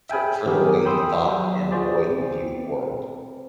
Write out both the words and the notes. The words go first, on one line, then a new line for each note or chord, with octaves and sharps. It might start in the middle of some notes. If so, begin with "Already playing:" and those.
For for the way he thought and the way he viewed the world.
E5 G5 G#5 B5
D#3 F#3 B3 G4 G#4 A#4
G5 B5 C6 D#6 E6
F#3
F4 F#4 G#4 C5 D5
C4